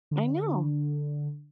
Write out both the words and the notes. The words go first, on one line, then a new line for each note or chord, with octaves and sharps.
I know.
D3